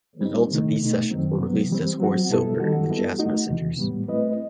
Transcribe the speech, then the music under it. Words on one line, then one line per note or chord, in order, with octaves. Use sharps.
The results of these sessions were released as "Horace Silver and the Jazz Messengers".
G3 C4 D#4
C3 D#3 A3 D#4
B2 A3 D#4
F#2 D#3 F#3 C4
C3 F#3 B3
E3 G3 C4
F#3 C4 F#4
B2 G3 B3 E4 A4
D#3 G3 D#4 F#4 A4
G3 B3 E4 A4
A3 D#4 F#4
E2 C3 E3
A2 G3 B3
A3 C4 E4 B4 D#5